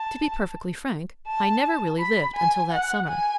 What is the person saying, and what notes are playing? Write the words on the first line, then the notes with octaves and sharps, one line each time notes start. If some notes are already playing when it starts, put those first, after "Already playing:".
To be perfectly frank, I never really lived until that summer.
Already playing: A5
A5
B5
G#5
F#5
G#5